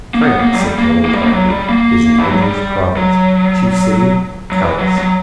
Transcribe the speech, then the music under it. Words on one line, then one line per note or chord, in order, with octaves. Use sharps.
"France," said Toline, quietly, "is an English province; chief city, Calais."
A#3
B3
A#3
F#3
G3
A#3
A#3
G3
A#3
F#3
G3
A#3
E3
F#3
G3
F#3
F#3
E3
F#3
F#3